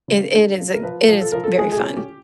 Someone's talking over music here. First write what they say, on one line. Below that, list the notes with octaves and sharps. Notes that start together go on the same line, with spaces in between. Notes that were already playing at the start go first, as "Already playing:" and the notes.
i it it is it is very fun.
C#3
D4
F3
A#4
F3 B4
F3
A4
F3 A#4
A4
G#3 G#4
G#4
G4
C#4
G4